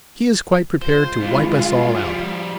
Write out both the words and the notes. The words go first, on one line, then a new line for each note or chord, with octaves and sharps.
He is quite prepared to wipe us all out.
G#3 F4 C5
C2 E3
G#2 D3
F3 G3